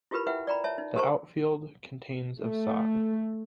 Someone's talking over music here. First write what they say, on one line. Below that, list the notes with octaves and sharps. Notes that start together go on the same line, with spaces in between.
The outfield contains of sod.
E4 F4 G4 A#4 B4 B5
E4 B4 E5 F#5 G5
D5 G5 A#5 B5
C#5 E5 A5
D#4
G4 A#4 C5 A5 A#5 C#6
A3